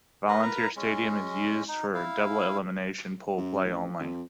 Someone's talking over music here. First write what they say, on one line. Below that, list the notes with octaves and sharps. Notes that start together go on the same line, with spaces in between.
Volunteer Stadium is used for double-elimination pool play only.
A#4 B4 D#5
A#4 B4 A#5
G#3 C#4
D#4
E4 F5
F#2
A1
F2